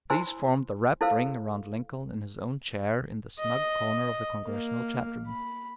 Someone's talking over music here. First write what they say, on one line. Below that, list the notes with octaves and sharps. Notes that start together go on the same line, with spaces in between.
These formed the rapt ring around Lincoln in his own chair in the snug corner of the congressional chat-room.
E4 C5 G#5 B5 C6 E6
E4 A4 C5 F5 E6
D#5
A#3
B5